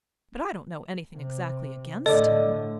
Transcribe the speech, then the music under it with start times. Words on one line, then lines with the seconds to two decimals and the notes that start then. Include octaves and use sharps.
"But I don't know anything exactly against him."
1.15 C3
2.06 A2 D3 A4 D5 D#5